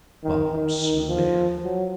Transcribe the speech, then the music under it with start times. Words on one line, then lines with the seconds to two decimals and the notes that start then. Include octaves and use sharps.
Bob Smith!
0.24 D#3
0.52 D#3
0.80 D#3
1.08 F3
1.64 F#3